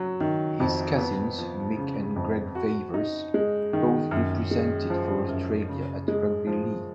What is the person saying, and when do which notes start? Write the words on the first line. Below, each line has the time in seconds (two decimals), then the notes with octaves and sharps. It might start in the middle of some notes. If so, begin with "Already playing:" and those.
His cousins, Mick and Greg Veivers, both represented for Australia at rugby league.
Already playing: F#3
0.21 D#3
0.60 F2
0.98 B3
1.38 F3
1.77 C#3
2.16 F2
2.55 F#4
2.94 D#4
3.34 G#3
3.73 D#3
4.11 F#2
4.51 G#3
4.90 F3
5.29 F#2
5.69 C#3
6.08 G#3
6.47 F3